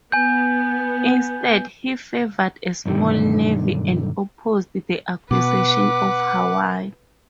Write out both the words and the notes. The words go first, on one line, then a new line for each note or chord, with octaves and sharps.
Instead, he favored a small navy and opposed the acquisition of Hawaii.
B3 G#5 G6
B1 G2 B2 D3 D#3
B2 B4 F#5 D6